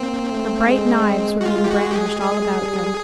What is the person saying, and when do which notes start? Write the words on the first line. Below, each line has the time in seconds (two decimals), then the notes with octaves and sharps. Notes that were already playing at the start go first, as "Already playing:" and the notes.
For bright knives were being brandished all about them.
Already playing: A#3 C4
0.31 A3
0.69 G#3
1.41 F#4
1.45 F4
1.64 G4
1.71 F#4
1.91 G4
1.96 G#4
2.21 G#3 G#4
2.60 G3